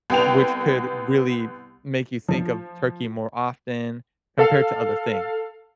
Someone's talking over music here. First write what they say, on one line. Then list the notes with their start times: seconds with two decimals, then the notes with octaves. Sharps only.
which could really make you think of turkey more often compared to other things.
0.10 C2 B3 G5 F7
2.28 F3
4.39 A4 F5